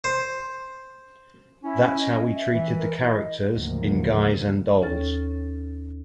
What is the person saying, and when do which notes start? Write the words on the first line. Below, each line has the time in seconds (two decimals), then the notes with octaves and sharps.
That's how we treated the characters in "Guys and Dolls".
0.04 C5
1.63 C#4 E4
2.00 D#5
2.34 E5
2.54 E3
2.77 A#4
3.01 E4 D#5
3.52 D2 G#2 C#3 F3 F#3 A#3
4.82 D#2 C#4 A4 C#5 F6 A6